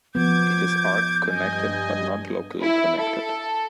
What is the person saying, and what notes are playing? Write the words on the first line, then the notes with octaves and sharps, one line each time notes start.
It is arc connected but not locally connected.
F3 B3 D6 G6 G#6
G2 D#5 G#5
E4
A4